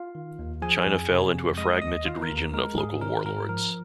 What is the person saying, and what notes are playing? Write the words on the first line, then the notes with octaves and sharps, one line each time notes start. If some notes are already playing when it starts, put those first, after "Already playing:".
China fell into a fragmented region of local warlords.
Already playing: F4 F5
D#3
D#2
F3 G#4 G#5
F2
C3
F2
G#3 D#5 D#6
D#2 D#5 D#6
D#3 F4 F5
A#4
D#2
A#4
G#3 A#4
G#2 G#4
D#3 A#4
G#2 A#4
F3 A#4